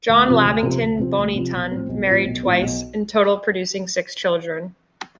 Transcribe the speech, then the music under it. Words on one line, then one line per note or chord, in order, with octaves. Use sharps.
John Lavington Bonython married twice, in total producing six children.
D2
C3 F3 C4
D2
C3 F3 C4
D2
C3 F3 C4
D2
C3 F3 C4
B1
A2 F3 C4
B1
A2 F3 C4
B1
A2 F3 C4
B1